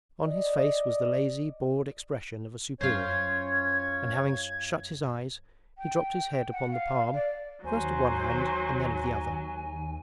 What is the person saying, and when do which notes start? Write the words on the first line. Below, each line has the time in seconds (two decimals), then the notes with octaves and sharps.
On his face was the lazy, bored expression of a superior, and having shut his eyes he dropped his head upon the palm first of one hand and then of the other.
0.22 D5 D#5
2.81 F#2 C#4 F4 C5 C#5 G#6
5.78 G5
6.52 F#5
6.72 F5
7.14 D5
7.64 D#2 F#3 C5 G#5